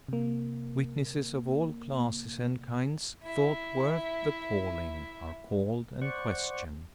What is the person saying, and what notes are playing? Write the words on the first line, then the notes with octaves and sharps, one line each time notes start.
Witnesses of all classes and kinds thought worth the calling are called and questioned.
C3 A#3
E4 E5
C5 D5 F#5 C#6